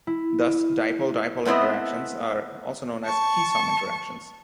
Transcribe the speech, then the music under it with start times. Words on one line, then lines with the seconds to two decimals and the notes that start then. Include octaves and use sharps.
Thus, dipole-dipole interactions are also known as Keesom interactions.
0.07 E4
1.45 A3 B3 C4 E4 D#5
3.05 A5 C#6